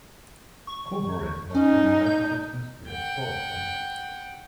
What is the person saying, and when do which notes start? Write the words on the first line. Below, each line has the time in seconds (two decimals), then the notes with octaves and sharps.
Kobarid has been inhabited since prehistoric times.
0.67 C#6
1.55 C#4 D#4
2.06 G6
2.88 F#5 G5